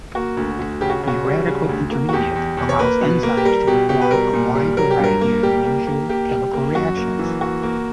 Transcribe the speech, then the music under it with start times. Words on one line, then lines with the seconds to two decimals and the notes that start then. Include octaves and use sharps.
The radical intermediate allows enzymes to perform a wide variety of unusual chemical reactions.
0.15 A#3 F#4
0.37 D2
0.59 D2
0.81 C#3 G4
0.90 F#4
1.03 C#3 F#4
1.25 G3
1.47 C#3
1.69 D2
1.91 A#3
2.09 F#4
2.13 E2 G4
2.35 E2
2.57 E2
2.69 C#5
2.79 A#3 B4
3.01 B2
3.23 A#3
3.37 G4
3.45 G3 A#4
3.67 B2 G4
3.89 B2 G4
4.01 B4
4.11 G3 A#4
4.33 A#2
4.55 G3
4.77 F#3 A#4
4.90 G4
4.99 G2 A#4
5.21 A#3
5.43 G3 G4
5.65 A#3
5.87 A#3
6.09 A#3 G4
6.31 G3
6.53 A#3
6.75 F#2 F#4
6.97 A#3
7.19 E3
7.41 A#3 F#4
7.63 A#3